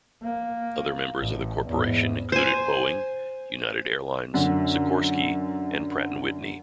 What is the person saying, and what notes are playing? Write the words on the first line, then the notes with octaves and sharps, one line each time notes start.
Other members of the corporation included Boeing, United Airlines, Sikorsky, and Pratt and Whitney.
A#3
A1
E2 G#2
C5 G#5
F#2 D3